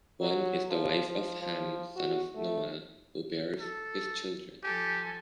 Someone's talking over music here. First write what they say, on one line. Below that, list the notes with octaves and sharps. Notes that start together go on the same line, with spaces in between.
One is the wife of Ham, son of Noah, who bears his children.
F#3
F3
F3
F3
F#4
A3
A4
F3 G4 A4 G#5